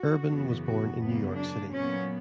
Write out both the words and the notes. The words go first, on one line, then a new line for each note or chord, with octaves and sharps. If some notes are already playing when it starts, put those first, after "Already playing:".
Erben was born in New York City.
Already playing: F#4
F#2 C#3 E3 B3
F#4
F#2 C#3 F#3 A#3 B3
D4
A#2 F#3 B3 C#4